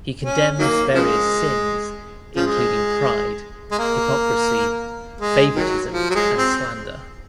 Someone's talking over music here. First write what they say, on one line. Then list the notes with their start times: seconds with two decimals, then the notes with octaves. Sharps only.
He condemns various sins, including pride, hypocrisy, favouritism, and slander.
0.23 C#4
0.59 D#3 F#3 A#3
0.94 C#3 F3 G#3
2.36 C#3 F3 G#3
3.71 G#3
3.79 A#3
5.21 G#3
5.55 D#3 F#3
5.92 F3
6.10 F#3
6.15 G#3
6.38 C4